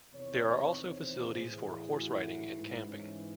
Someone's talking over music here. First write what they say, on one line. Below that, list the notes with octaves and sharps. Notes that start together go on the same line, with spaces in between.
There are also facilities for horse-riding and camping.
E2 C3 D#3 C#5
C5
A2 E3 G#4
F#4
G#2 E3 E4
C#4